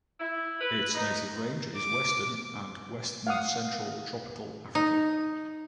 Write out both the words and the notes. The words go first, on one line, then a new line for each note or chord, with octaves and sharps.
Its native range is western and western central Tropical Africa.
E4
B4
D#4
D6
F5 F#5 D#6
D#4